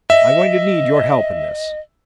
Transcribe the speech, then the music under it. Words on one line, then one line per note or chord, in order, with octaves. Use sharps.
I'm going to need your help in this.
D#5 E5